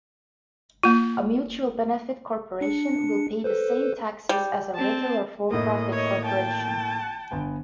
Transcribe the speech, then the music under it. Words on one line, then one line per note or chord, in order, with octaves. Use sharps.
A mutual benefit corporation will pay the same taxes as a regular for-profit corporation.
A#3 F4
D4 C#7
A4 B4 C5
G3
C4 A5
A2 A#3 D#5
C#5 D#5
G5 A5
G1 B3 G#5